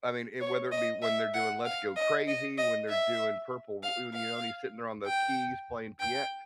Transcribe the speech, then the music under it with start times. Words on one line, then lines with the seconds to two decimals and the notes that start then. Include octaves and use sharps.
I mean it whether it be when they're doing Let's Go Crazy, when they're doing Purple R you know, when he's sitting there on the keys playing pia
0.41 C#5
0.72 D#5
1.02 E5
1.34 F#5
1.65 F5
1.96 D#5
2.28 D#5
2.58 D#5
2.89 E5
3.83 F5
4.14 F5
5.07 G5
6.00 G5